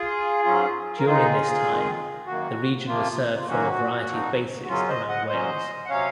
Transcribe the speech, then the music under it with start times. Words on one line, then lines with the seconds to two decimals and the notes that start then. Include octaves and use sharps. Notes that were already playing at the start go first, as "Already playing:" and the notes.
During this time, the region was served from a variety of bases around Wales.
Already playing: F4 G#4
0.45 G#2 F#3 C#4 F4
0.99 A#4
1.06 D#3 G#3 D#4 F4 G#4
1.66 F2 D#3 G#3
2.26 F#2 D#3 A#3 F#4
2.87 C3 F3 A#3 F4
3.39 F4
3.48 F#2 D#3 F#3 A#3 C#4 F#4
4.08 A#2 F3 C4 D#4
4.64 F#4
4.68 F#2 C#3 F#3 C#4 F4
4.88 C5 D#5
5.09 D#5 F#5
5.29 A#2 F#3 C#4 C5 D#5
5.85 F#5
5.89 C3 F#3 C#4 C#5 F5